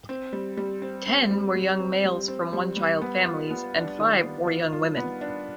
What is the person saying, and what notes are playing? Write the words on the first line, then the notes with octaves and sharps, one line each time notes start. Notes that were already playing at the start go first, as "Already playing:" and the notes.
Ten were young males from one-child families and five were young women.
C4
G3
G3
C4
C4
G3
G3
C4
G3
C4
G3
G3
B3
F4
B3
D4
D#3
B3
F4
F4
B3
D4